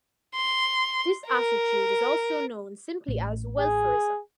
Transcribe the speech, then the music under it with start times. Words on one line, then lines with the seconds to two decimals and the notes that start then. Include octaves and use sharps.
This attitude is also known simply as "welfarism".
0.36 C6
1.27 A#4
3.08 A1
3.59 G#4